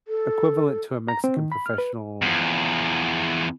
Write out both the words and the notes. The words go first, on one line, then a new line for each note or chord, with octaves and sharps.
equivalent to a Mexican professional
A4
A#5
C4
D#3
B5
F6
B4
E2 F3